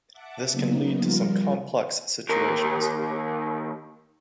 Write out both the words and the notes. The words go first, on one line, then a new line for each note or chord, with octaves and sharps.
This can lead to some complex situations.
E5 F#5 A5 D6
C#3 F#3 A#3 B3 D#4
F3 G3 F4 A#4
D#2 A#4